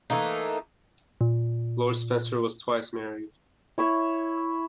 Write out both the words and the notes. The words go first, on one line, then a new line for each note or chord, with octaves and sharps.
Lord Spencer was twice married.
E3 A3 A#3 D#4
A#2
E4 C#5 E5